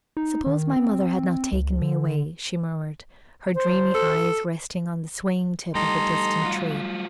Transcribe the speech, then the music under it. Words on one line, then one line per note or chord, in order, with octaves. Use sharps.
"Suppose my mother had not taken me away?" she murmured, her dreamy eyes resting on the swaying tip of a distant tree.
D#4
D#3
C4
C#2
D3
C5
A4
G3 A3 D#4 G4 A4 C6
F#3 F4